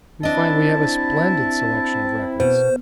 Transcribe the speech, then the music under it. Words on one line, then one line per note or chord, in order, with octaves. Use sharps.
We find we have a splendid selection of records.
C4 D4 E4 D#5 A5
B2 C5